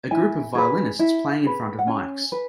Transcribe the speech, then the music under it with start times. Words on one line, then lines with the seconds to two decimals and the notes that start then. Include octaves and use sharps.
A group of violinists playing in front of mics.
0.11 E4 G#5
0.55 G#4 B4
0.99 E4
1.43 G#4 B4
1.79 F#5
1.87 C#4 G#5
2.32 B4